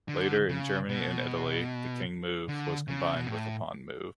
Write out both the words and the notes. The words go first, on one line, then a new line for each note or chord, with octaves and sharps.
Later in Germany and Italy, the king move was combined with a pawn move.
D3
C#3
B2
D3
C#3
B2
A2